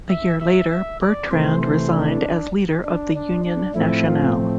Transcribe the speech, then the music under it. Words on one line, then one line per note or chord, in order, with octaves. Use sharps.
A year later, Bertrand resigned as Leader of the Union Nationale.
E5
E5
E5
D5
C3 E3 A3 C5
C5
D4
D4
D4
D4
A2 F3 A3 C4 E4
F4